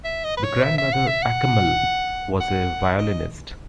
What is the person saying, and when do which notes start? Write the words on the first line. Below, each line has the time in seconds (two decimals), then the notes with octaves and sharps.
Her grandmother Akkammal was a violinist.
0.05 E5
0.24 D#5
0.37 B4
0.43 C#5
0.63 E5
0.78 E5
0.93 F#5
1.07 E5
1.23 F#5
2.40 F#5
2.99 D#5